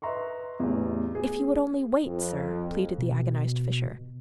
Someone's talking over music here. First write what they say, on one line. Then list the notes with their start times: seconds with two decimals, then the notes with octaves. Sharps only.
"If you would only wait, sir," pleaded the agonized Fisher.
0.02 B4 D#5 E5 A#5 C6 C#6
0.60 A1 E2
1.15 G#4
2.04 F2
2.98 B2